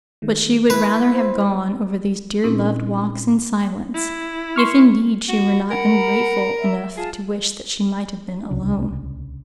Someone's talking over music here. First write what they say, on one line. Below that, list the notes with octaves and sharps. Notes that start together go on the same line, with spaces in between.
But she would rather have gone over these dear-loved walks in silence, if indeed she were not ungrateful enough to wish that she might have been alone.
D#3 G#3 A3
E4 B4
C5
A#2 C4 C#4 D#4 E4
E4
C6 C#6 F6
F#4
A#4 F#5 A#5 B5
E5
F4 G#4 A5
D1 C2 C#3 D4